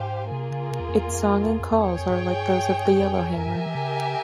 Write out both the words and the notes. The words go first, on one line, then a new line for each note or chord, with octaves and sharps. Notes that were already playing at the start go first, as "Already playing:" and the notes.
Its song and calls are like those of the yellowhammer.
Already playing: G#2 G4 C5 F5 G#5
C3 A#3 F4 G#4
C#3
C3
E2
F2
E2
F2
E2
F2
F2
E2 G#4 C#5 G5
F2
G2
F2
F2 G4 A#4 E5 G#5
G2
F3
E3
C#3